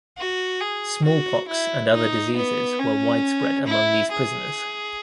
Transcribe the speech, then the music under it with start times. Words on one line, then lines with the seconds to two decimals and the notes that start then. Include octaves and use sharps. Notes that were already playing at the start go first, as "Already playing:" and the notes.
Smallpox and other diseases were widespread among these prisoners.
0.18 F#4
0.61 G#4
1.05 F#4
1.48 E4
1.92 D#4
2.37 B3
2.79 C#4
3.67 E4
4.11 G#4